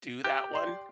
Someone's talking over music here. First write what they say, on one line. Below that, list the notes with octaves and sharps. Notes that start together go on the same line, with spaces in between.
do that one,
G4 G6
D5 C6